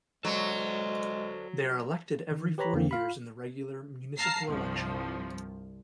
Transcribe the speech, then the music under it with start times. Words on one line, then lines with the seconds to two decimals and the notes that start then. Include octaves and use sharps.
They are elected every four years, in the regular municipal election.
0.25 F#3 G#3 A4 C5 D5
2.31 D#3
2.58 G4 B4 C#5 A#5 B5
2.73 F2 D3 E3 A#3 C4
2.91 F4 F5 B5
4.17 F5 A5 A#5 C7
4.49 C2 G2 F3